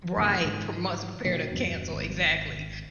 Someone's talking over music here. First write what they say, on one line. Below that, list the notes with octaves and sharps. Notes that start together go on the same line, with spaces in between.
Right. pro months are prepared to cancel. Exactly.
F#2 C3 E3 A#3
G#2 D3 E3
A#2 D3 D#3 F#3
E2 G2 B2
G#1